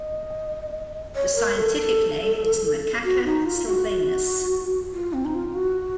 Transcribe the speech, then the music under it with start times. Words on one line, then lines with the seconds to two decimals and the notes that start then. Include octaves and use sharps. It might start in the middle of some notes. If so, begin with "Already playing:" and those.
The scientific name is "Macaca sylvanus".
Already playing: D#5
1.16 C#5
1.36 A#4
1.57 A4
3.04 F#4
3.25 D#4
3.46 F4
3.67 F#4
4.93 F4
5.13 C4
5.25 D#4
5.35 F4
5.55 F#4